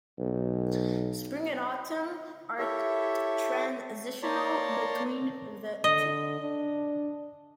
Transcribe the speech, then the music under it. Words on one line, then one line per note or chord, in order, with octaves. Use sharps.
Spring and autumn are transitional between the two.
B1
E4 G4 A4 C#5 E5
A#3 C#5 D5 A5 A#5 C6
D3 D#5
D4